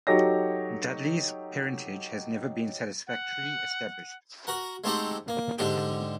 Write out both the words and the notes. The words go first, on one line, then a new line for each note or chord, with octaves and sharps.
Dudley's parentage has never been satisfactorily established.
F#3 D#4 G4 A4 C#5 A#6
F#5
F#4 A#4 F#5
G#3 A3 C4 D#4 G4 F#5
A#3
G#2 D3 G4